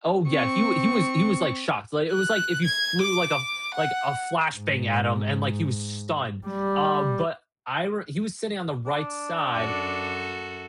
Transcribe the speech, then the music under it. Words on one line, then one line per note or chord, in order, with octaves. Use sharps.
Oh, yeah, he he was he was, like, shocked, like, it was like if you flew like a like a flash bang at him and, like, he was stunned, uh, but I re he was sitting on the right side-
C4 C#6
F#6
G#6
D6
F#5
G#2
G3
D4
F#2 F#4 A4